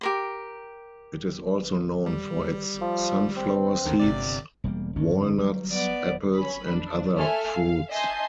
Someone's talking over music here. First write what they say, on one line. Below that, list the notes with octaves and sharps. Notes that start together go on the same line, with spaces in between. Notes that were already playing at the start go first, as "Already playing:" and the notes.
It is also known for its sunflower seeds, walnuts, apples, and other fruits.
G4 A#4 C6
G3
F3
C4
D#2 D3 D#3
G1 C3 D5
E1 G3 A#3
G1 G2 C#4
F#3 G3
B3 D5
C#4 B5
D4
A3 A4 E5 G#5 F6
F5
D#5 E5 G#5 A5 C6 G6